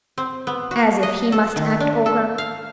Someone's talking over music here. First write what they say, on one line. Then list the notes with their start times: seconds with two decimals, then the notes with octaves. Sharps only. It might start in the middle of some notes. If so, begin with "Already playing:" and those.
'As if he must act Ogre.
0.18 C4
0.47 B3
0.71 F#4
1.03 D#5
1.32 A4
1.56 D#3
1.80 D4
2.06 A4
2.38 F5